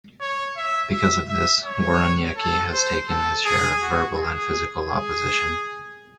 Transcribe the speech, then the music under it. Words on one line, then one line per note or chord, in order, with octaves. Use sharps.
Because of this, Woroniecki has taken his share of verbal and physical opposition.
C#5
E5
E5
E5
C#5
A4
C5
A4
G#4
F#4
G#4
G#4